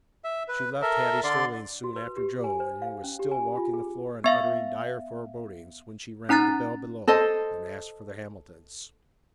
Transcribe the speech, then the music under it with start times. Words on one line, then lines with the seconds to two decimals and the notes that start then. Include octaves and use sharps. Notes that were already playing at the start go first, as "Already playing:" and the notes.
She left Hattie Sterling's soon after Joe, and he was still walking the floor and uttering dire forebodings when she rang the bell below and asked for the Hamiltons.
0.24 E5
0.49 B4
0.82 A4 A#4 E5
1.24 D3 D5 C6
1.84 F#4
1.96 B4
2.17 G4
2.44 G#5
2.60 C5
2.82 F5
3.04 C#4
3.19 G4
3.31 G#5
3.58 F4
3.73 G#4
4.24 B3 E5 F5
6.29 C#4 D#4 A#5 F#6 A6
7.08 A4 C5 D#5